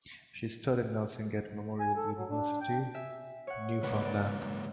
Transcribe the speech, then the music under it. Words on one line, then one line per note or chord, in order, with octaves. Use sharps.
She studied nursing at Memorial University, Newfoundland.
G#5
A4
F#3
D4
G5
E5 G#5
C#5 F#5
C#3 G#3 A#3 B4 F#5 D6
D5